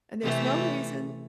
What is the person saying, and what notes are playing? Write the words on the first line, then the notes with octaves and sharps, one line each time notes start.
and there's no reason
C3 E3 A3